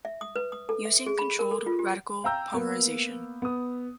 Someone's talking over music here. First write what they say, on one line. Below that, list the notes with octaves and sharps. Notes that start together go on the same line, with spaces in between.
Using controlled radical polymerization.
E5
D#6
B4
D#6
A4
E5
G#4
B5
A#4
A4
F4
G4
F5 G5 A#5 E6 G6
A#3 B3
B3 D#6